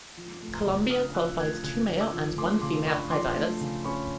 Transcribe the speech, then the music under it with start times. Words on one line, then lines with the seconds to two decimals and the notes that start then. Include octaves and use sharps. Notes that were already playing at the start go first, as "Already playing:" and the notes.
Colombia qualified two male and one female high divers.
0.17 F3
0.42 A3
0.54 A#5 C6
0.66 C#3
0.90 D4 D#6 F6
1.14 F3 E6 F#6
1.39 A3 F#6 G#6
1.64 C#3 F#6 G#6
1.89 D4
2.00 D6 E6
2.13 F3
2.37 A3 C6 D6
2.62 C#3 C6 D6
2.87 D4 B5 C#6
3.11 F3 C6 D6
3.36 A3
3.61 C#3
3.84 C#4 B5 C#6